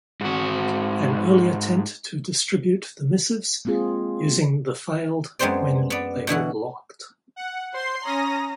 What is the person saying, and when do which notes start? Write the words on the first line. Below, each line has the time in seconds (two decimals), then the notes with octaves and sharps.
An early attempt to distribute the missives using the failed when they were blocked.
0.21 G#2 F#4
3.65 G#3 A#3 C4 F4 G#4
5.39 F#2 G#3 B3 C4 C5 D5
5.90 B3 D5
6.27 B2 D3 E3 F#4
7.36 F#5
7.74 C5 C6 C7
8.04 C#4 A#5 D#6 A#6